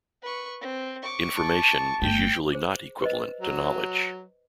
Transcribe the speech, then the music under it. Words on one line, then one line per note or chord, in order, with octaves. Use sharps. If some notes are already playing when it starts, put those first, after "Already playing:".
"Information" is usually not equivalent to "knowledge".
B4 C#6
C4
C#6 D6
A5
G1 A3 G5
G#4 C5
B4 C5 D#5
F#3